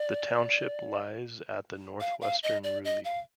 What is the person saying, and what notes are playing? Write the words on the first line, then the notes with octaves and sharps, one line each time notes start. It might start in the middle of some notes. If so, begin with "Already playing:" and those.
The township lies at the northwestern Ruili.
Already playing: D5
F5
F5
D#5
D5
D#5
F5